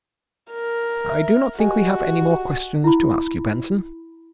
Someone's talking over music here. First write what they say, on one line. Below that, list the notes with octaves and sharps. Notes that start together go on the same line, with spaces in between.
"I do not think we have any more questions to ask you, Benson."
A#4
E5
F#4 G4 D#5 G#5
E4 B5